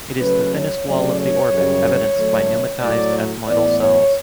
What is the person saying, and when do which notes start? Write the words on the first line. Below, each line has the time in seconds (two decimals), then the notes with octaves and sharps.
It is the thinnest wall of the orbit, evidenced by pneumatized ethmoidal cells.
0.20 C#3 F#3 A3 C#4 B4
0.53 C#5
0.85 C#3 F#3 A3 C#4 D5
1.18 C#5
1.50 F#2 C#3 G3
2.16 F#2 D3 A3
2.81 A2 F#3 A3 D5
3.47 A2 E3 B3 D5
3.80 C#5